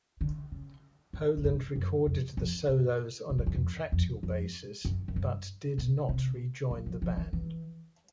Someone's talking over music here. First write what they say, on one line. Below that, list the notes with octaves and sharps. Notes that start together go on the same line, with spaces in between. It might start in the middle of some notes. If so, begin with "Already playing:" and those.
Poland recorded the solos on a contractual basis, but did not re-join the band.
D3
C#3
G#2
G#2
G2
F#2
F2
F2
G2
F#2
F2
E2
F2
F2
F2
F#2
F#2
G2
B2
C3
F#3
F3
F3
E3
E3